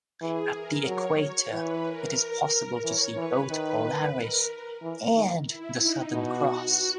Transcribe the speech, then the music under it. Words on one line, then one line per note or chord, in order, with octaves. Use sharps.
At the equator, it is possible to see both Polaris and the Southern Cross.
E3 G#4
A#4
F#3 C#5
E3 B4
A#4
E3 C#5
E3 B4
D#3
A#4
E3
D#3
E4
D#4
B2 F#4